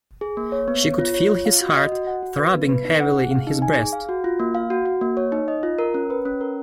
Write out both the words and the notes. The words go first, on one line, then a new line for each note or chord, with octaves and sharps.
She could feel his heart throbbing heavily in his breast.
G#4
A#3
C#5
B3
C#5
F4
C#5
F4
F5
F#4
D#5
F#4
F#5
F#4
B4
B3
B4
D#4
F#5
G#4
F5
D#4
G#5
G#4
F5
F#4
F4
A#3
F5
F#4
F#4
A#3
C#5
D#4
D#5
F4
A#4
C#4
B4
C#4
A#4